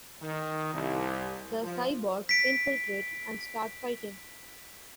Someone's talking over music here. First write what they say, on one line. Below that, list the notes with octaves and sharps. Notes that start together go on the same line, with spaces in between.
The cyborgs infiltrate and start fighting.
D#3
C2
F3
B6 D7